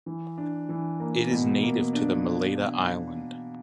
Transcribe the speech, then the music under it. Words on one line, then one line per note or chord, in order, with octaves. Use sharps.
It is native to the Malaita island.
E3
D4
E3
A#3
B2
A#3
D4